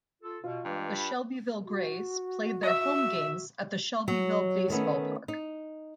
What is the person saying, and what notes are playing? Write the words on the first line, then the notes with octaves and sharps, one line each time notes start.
The Shelbyville Grays played their home games at the Shelbyville Base Ball Park.
F4 A4
B2 F4
G2 E3 G#3 G4
B5
F#4
E5
F#3
D#3 A3 B3 C#4
D#4